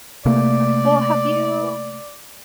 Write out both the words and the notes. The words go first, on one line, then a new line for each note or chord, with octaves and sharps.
Well, have you
C3 A3 A#3 D5